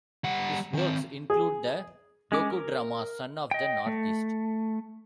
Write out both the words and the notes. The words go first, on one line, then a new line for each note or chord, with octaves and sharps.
His works include the docudrama "Son of the Northeast".
G3 F#5
D#3 C4
G#4
G#3 C#4 D6
A#4
D#5 G5
A3